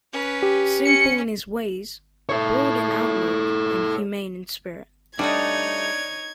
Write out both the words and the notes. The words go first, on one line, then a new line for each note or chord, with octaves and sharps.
Simple in his ways, broad in outlook, and humane in spirit.
C#4 B4
G4
C#4 C#7
A4 C#5
G3 A3 D4 D#4 C#5 D#5 G#6